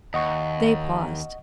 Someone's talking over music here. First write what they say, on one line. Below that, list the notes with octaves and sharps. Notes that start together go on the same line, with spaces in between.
They paused.
D#2 D#5 F#5 C#6